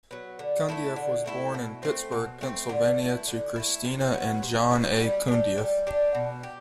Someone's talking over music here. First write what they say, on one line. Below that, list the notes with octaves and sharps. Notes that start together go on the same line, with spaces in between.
Cundieff was born in Pittsburgh, Pennsylvania to Christina and John A. Cundieff.
F#3 B3
D3
A3 E4 A4
D3
A3 E4 A4
B2
A3 C4
B2
A3 C4
D3
A3 E4
D3
A3 E4
C3
F#3 B3 F#4
C3
F#3 B3 F#4
G3
D4 G4
G3
D4 G4
B2
G4